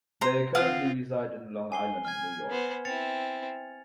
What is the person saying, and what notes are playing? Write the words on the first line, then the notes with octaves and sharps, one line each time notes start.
They currently reside in Long Island, New York.
C5 A#5
C4 F4 F5 F#5 D#6
G#5 C7 G7
G#5 F6 G#6
B3 C5
C4 E4 A6 C#7 F7